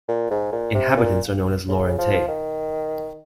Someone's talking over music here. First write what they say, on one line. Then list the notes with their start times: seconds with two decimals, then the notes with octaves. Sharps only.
Inhabitants are known as "Laurentais".
0.08 A#2
0.30 G#2
0.52 A#2
0.74 C3
0.97 A#2
1.68 C#3
1.98 F3
2.28 D#3